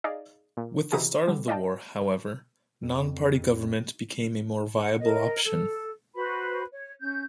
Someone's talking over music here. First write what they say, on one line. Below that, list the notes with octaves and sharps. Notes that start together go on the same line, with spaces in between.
With the start of the war, however, "non-party" government became a more viable option.
D#4 G#4 D5 D#5 F5
A#2
C3 E3 D#4 E4 F#4 G#4
D3 G3
D5 D#5 F5 G5 A5
F2
F#5
A#4 D#5
A4
F#4 B4 C5 B5
C#5
C#4 G6